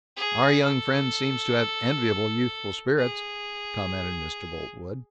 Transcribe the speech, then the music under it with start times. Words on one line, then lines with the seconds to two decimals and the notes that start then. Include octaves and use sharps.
"Our young friend seems to have enviable youthful spirits," commented Mr. Boltwood.
0.17 G#4
0.64 A4
2.98 G#4